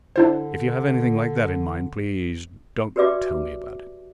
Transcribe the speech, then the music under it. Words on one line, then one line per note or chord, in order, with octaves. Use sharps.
If you have anything like that in mind please don't tell me about it.
D3 D4 E4 C5
F#4 G4 B4 D5 E5 D6